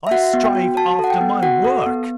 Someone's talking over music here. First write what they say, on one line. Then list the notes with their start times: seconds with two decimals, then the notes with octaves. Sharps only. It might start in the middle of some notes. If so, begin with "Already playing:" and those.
I strive after my WORK!
0.07 E5
0.11 F#4 F#5
0.33 B3
0.44 G5
0.55 F#4
0.77 F#4 A5
0.99 A4
1.04 F#5
1.10 G5
1.21 B3
1.43 F#4 F#5
1.64 A4
1.86 B3